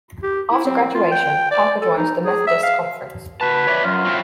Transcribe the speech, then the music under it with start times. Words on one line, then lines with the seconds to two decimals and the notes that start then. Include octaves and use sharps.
After graduation, Parker joined the Methodist Conference.
0.23 G4
0.51 E4
0.65 C4
0.95 F4
1.11 G5
1.51 D5
1.82 A4
1.97 D#4
2.25 G#4
2.47 E5
2.63 F5
3.41 F#4 B4 A5
3.67 C#5 D5 E5
3.84 F#2 F4
4.04 F#3 C4 E4